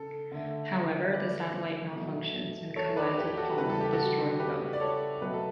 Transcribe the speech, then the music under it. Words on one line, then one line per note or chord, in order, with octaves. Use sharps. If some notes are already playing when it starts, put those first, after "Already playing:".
However, the satellite malfunctions and collides with Palm, destroying both.
Already playing: C#3 A4
D3 A3
B4 D5
B2 F#3 A3
A4 C#5
B4 D5
G4 B4
G4
F#4 A4
C#3 E3 G3 B4
A4
G4
F#4 A4
G4 B4
D5
A4 C#5
B2 F#3 A3 B4
A4